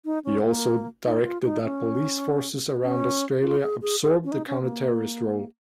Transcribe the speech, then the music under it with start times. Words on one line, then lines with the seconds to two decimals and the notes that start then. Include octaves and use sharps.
He also directed that police forces around Australia absorb the counter-terrorist role.
0.05 D#4
0.25 C#4
0.45 A#3
1.05 D#4
1.24 F4
1.44 D#4
1.64 C#4
2.83 C#4
3.42 F4
3.62 G#4
3.82 G#4
4.02 G#4
4.24 C#4
4.32 D#4
4.47 C#4
4.62 A#3